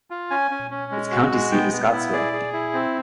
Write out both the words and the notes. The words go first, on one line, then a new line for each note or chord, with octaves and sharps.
Its county seat is Scottsville.
F4
C#4 G#5
C#4
C#4
G#3
F#4
G#3
B3 G5
B3
E4
G#4 D5
G#4
E4
C4